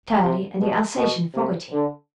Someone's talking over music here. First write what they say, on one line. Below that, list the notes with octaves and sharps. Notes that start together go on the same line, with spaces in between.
Turley, and the Alsatian Foggerty.
C3
B2
B2
C3
D3